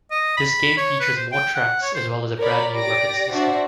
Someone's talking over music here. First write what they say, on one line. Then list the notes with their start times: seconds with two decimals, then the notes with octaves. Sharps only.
This game features more tracks as well as a brand new weapon system.
0.11 D#5
0.37 B5
0.77 C#5
1.00 B4
1.17 C5
1.32 G5
1.55 F#5
1.82 C#5
1.95 C5
2.38 A#4 C#5 D5 B5
2.75 G4 D5 A#6 D7
3.33 D4 F#4 C5 D5 E5